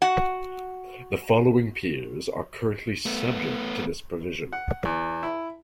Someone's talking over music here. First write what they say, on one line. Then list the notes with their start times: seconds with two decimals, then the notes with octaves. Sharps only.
The following peers are currently subject to this provision.
0.02 F#4 F#5
3.06 A3 B3
4.53 F#5
4.85 E2
5.23 E4